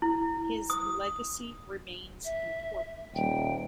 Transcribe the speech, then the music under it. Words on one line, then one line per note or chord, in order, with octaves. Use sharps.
His legacy remains important.
E4
D#6
E5
D#1 G5